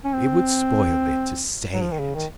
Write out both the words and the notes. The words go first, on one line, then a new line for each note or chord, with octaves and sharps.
"It would spoil it to say it."
C#4
C4
F#3
F3
D#3
C#3
D#3